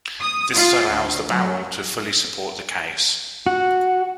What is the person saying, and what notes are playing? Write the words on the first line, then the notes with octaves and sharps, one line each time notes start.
This allows the barrel to fully support the case.
D#6
F4
D2
F#3
F#4